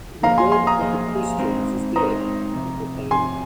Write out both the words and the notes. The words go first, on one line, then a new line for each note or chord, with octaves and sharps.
"The God of the Christians is dead," he proclaimed.
F3 A#3 G#4 C5 D#5 F5 A#5
G#5 C6
G#5 C6
A#5 D#6
F3 A#3 G#4 C5 D#5
G#3 C4 D#4 C5
G#3 C4 D#4 C5 A#5 D#6
F2 C3
F2 C3 G#5 C6